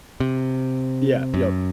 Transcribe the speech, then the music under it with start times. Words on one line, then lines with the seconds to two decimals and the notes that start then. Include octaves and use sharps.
Yeah, yep.
0.20 C3
1.34 F#2